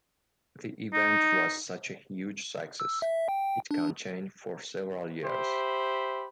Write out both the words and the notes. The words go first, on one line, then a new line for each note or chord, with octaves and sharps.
The event was such a huge success, it continued for several years.
D#4
E6
E5
G5
D4
G4 C5 E5 B5